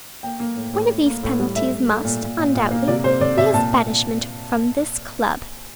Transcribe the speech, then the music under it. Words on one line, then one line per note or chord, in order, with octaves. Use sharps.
One of these penalties must, undoubtedly, be his banishment from this club.
A#3 G5
A#3
A2
A2
A2
A#3
A2
G3
A3 E5
A3
A3
A#2
A#2
A#2
A#2
A#3
C3 D5
C3 C5
C3 D5
C3 E5
A#2 A5